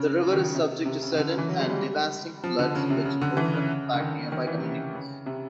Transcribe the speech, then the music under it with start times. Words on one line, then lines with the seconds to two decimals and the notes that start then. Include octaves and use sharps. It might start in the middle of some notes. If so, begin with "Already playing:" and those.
The river is subject to sudden and devastating floods which often impact nearby communities.
Already playing: C#3
0.23 C#3
0.33 D#3
0.43 C#3
0.55 C3
0.85 C3
1.02 C#3
1.12 D#3
1.18 D3
1.28 C#3
1.38 E3
1.49 F#3
1.59 G#3
1.70 G3
2.44 F3
2.59 D3
2.75 C#3
2.90 C3
3.05 C#3
3.22 D3
3.37 E3
3.54 C#3
3.93 D3
4.00 D#3
4.32 D#3
4.47 E3
4.58 C3
4.63 C#3
4.94 C#3
5.26 C3